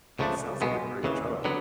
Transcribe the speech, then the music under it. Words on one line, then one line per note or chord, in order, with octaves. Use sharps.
It sounds like a great show.
C#2 C#3 F3 A3 D4
B1 B2 G#3 B3
D#2 C#3 E3
D3 F#3 B3